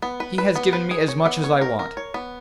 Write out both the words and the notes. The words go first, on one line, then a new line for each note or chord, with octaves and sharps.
He has given me as much as I want.
B3
B4
B4
B3
B4
G#4
C#5
B3
C#5
A#4
A#4
C#5
B3